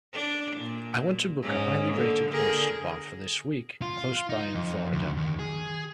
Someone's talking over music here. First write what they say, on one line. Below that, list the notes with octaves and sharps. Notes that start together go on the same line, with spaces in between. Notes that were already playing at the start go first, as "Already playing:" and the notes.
I want to book a highly rated oyster bar for this week close by in Florida.
D4
A#2
G#2 C#4
D3 A#3
D3 G#4 A#4
F4
D#4
F2
D2
D#2
G#4